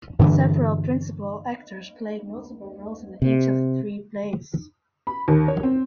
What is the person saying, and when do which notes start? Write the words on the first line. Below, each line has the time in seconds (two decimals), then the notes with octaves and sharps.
Several principal actors played multiple roles in each of the three plays.
0.19 G2 D3 E3
3.22 C3
5.07 B5
5.28 D#2
5.48 C#5
5.63 C4